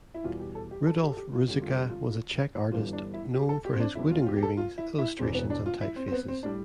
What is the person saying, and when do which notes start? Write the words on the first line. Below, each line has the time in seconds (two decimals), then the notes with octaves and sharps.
Rudolph Ruzicka was a Czech artist known for his wood engravings, illustrations, and typefaces.
0.14 E4
0.24 E2 B2 G3 F4
0.40 G4
0.55 A4
0.71 G4
0.87 A4
1.02 G4
1.10 A4
1.17 G4
1.33 F4
1.48 F1 F2 D3 G3 G4
1.61 F4
1.68 G4
1.90 F4
2.72 G1 G2 E3 G3 F4
2.93 D4
3.14 E4
3.34 G4
3.49 A4
3.65 G4
3.73 C4
3.80 D4
3.95 E1 E2 B2 E4
4.11 F4
4.22 F4
4.27 G4
4.37 G4
4.43 A4
4.57 F4
4.78 E4
4.99 E4
5.19 E1 E2 B2 C4
5.34 B3
5.50 D4
5.66 F4
5.81 E4
5.96 C4
6.08 C4
6.12 B3
6.28 C4
6.43 A2 G3 D4